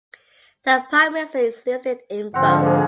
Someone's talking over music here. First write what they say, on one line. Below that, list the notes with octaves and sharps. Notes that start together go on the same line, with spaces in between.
The Prime Minister is listed in both.
G#2 D3 F3 C4 F#5
A#3 G#4